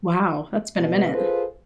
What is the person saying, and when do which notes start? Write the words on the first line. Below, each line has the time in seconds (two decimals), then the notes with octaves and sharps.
Wow, that's been a minute.
0.78 B2
1.12 F4 G#4 A4 B4 C5